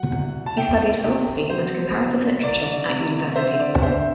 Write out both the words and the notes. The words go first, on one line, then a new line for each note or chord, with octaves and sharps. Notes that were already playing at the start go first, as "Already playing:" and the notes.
He studied philosophy and comparative literature at university.
Already playing: F#3 F#5
C2
A5
C2 E5 G5
C3
F#3 C5
C2
C2 D5
C3
D3 C5 E5
D5
G1 C5 E5